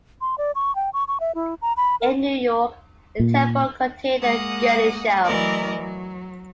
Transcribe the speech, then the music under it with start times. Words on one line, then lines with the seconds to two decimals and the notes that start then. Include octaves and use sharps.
In New York, the Temple contained a girlie show.
0.21 C6
0.38 D5
0.55 C#6
0.76 G5
0.93 C#6
1.08 C#6
1.20 E5
1.35 E4
1.62 A#5
1.77 B5
2.01 A#4
3.20 A#2
4.22 G#3 A#3 F#5 D#6
5.25 E3 F#3 A3 A#4 D5 D#5
5.78 F#3